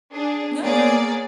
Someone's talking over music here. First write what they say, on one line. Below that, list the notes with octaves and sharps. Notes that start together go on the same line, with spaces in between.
No. Go ahead.
D4 G#4
A#3 B3 G#4 A#4 C#5 D5